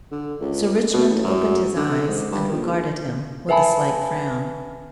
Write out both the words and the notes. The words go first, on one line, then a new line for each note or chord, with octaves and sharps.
Sir Richmond opened his eyes and regarded him with a slight frown.
D3
C#2
B2
A1
F#2
D3
G#2
G2
A#1
B4 E5 G#5 A5 B5